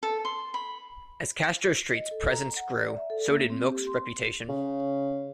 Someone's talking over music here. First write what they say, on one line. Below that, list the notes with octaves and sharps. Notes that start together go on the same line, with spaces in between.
As Castro Street's presence grew, so did Milk's reputation.
A4
C6
B5
D#5
A4
A#5
F#5
D5
E5
A4
A#3
C4
G4
C6
C#3